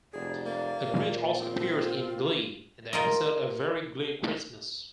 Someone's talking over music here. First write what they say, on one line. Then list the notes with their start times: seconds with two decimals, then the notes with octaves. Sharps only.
The Grinch also appears in "Glee" in the episode "A Very Glee Christmas".
0.13 F1 G#4 D5
0.46 A#3
0.84 A#2
1.40 C4 F4
2.93 F4 A#4 D#5